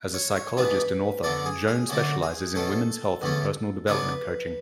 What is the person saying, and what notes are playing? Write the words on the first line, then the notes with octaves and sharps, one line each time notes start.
As a psychologist and author, Joan specializes in women's health and personal development coaching.
C#5
C#5
G#2 E3 B3 D4 B4
D3 F#3 B3 D4 A4
G#4
G#4
F#2 D3 F#3 A3 D4 F#4
G#4
B2 A3 C#4 A4
E2 D3 A3 C#4
C#3 F#3 B3 D4 B4